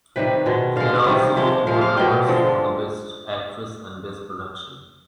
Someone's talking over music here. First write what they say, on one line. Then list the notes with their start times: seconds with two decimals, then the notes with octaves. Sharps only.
It also won awards for the Best Actress and Best Production.
0.16 C3 D#3 G3 B4
0.46 B2 G#3
0.76 D3 G#3 F5
1.06 C3 D#3 G3
1.37 C3 F3 G#3
1.67 C3 F3 G#3 F5
1.81 F5
1.97 B2 G3 G5
2.27 D3 F3 G#3